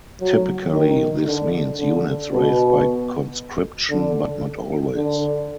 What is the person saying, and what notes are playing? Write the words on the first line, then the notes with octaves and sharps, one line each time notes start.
Typically this means units raised by conscription, but not always.
F#3
D#3
D3
D3
B2
D3
D3